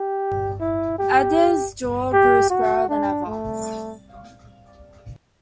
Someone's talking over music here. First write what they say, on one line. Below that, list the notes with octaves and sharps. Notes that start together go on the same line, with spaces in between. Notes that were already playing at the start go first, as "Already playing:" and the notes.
Adair's jaw grew squarer than ever.
Already playing: G4
E4
G4
G4
F#4
D4
A3